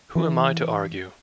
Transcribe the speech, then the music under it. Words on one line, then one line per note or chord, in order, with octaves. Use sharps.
Who am I to argue?
E3